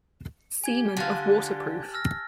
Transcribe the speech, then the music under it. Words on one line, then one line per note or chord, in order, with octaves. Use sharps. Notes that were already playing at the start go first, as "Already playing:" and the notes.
Seaman of Waterproof.
G4 G#5 G#6 G7
D3 F4 A5 F#6 A6
E6 F6 A#6